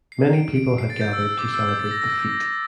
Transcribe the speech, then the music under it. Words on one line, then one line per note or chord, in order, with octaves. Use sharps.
Many people had gathered to celebrate the feat.
C7
D7
D7
C7
A6
G6
E6
E6
D6
E6
G6
A6
A#6
A#6